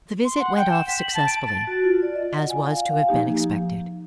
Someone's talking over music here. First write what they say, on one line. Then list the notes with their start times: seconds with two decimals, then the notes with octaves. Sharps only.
The visit went off successfully, as was to have been expected.
0.25 C6
0.40 F#5
0.57 G5
0.72 E7
0.87 B6
1.01 F#7
1.14 A5
1.27 D7
1.46 A6
1.67 F#4
1.84 F4
2.02 D5
2.16 D#5
2.36 F#5
2.50 G#5
2.71 F5
2.87 F5
3.09 F3 A#3 D#4 G4